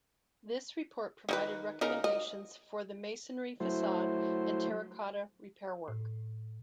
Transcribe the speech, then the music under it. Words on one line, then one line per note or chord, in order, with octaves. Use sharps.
This report provided recommendations for the masonry facade and terra cotta repair work.
D#3 D#4 B4
C#3 D#4 A#4
D#5
F#3 A3 E4 C5
A2